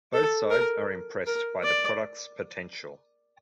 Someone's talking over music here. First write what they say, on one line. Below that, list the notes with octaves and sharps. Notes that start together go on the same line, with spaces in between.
Both sides are impressed by the product's potential.
A4
A#4
A#4
D5